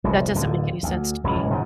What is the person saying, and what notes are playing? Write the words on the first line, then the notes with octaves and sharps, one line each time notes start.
That doesn't make any sense to me.
F1 C2 A#2
D1 F2 D3
D2
E1 C#2 F#2 A2
G#2 B2 D3 F3